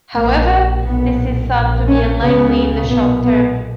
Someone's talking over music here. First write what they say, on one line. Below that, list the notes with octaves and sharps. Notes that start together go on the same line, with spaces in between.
However, this is thought to be unlikely in the short term.
A#1 A#2 A#3
B1 A#2 B3
A#1 A#2
C#4
C#2 C#3 B3
B1 A#2 B3
B3